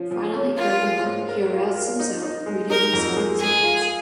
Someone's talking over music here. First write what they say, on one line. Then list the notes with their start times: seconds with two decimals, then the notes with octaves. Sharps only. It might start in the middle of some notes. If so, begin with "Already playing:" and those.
Finally cracking up, he arrests himself, reading himself his rights.
Already playing: F3 C#4
0.11 F3
0.34 C#4
0.57 F4 A#4
0.81 G#3
1.05 G#2
1.28 A#4
1.53 F4
1.76 A#4
1.99 D#4
2.23 D#4
2.46 G#3
2.70 D#4 A#4
2.93 F2
3.17 G#3
3.40 G#3 G#4
3.64 F4